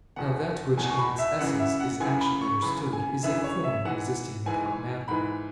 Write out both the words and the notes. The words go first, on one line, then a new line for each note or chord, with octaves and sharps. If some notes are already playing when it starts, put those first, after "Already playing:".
Now that which in its essence is actually understood is a form existing without matter.
E2 B2 F#5
E2 B2 G#5
C#6
B5
E5
F#2 C#3 E3 F#5
E5
F#5
F#2 C#3 E3 G#5
B5
C#6
F#2 C#3 E3 B5
G#5
F#2 C#3 E3 E5
C#5
E5
G#2 E3 F#5
G#2 E3 G#5
G#2 E3 B5